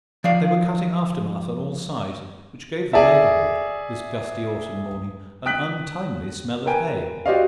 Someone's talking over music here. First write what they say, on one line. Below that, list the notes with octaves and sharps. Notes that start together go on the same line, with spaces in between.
They were cutting aftermath on all sides, which gave the neighbourhood, this gusty autumn morning, an untimely smell of hay.
F3 D5 F5
G#4 D5 E5
G5 D#6 F#6 B6 F#7
A#4 B4 G5 G#5
F#4 G4 C5 D5 D#5 F5